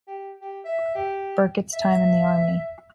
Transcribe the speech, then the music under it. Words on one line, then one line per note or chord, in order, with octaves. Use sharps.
Burkett's time in the Army.
G4
G4
E5
G4
E5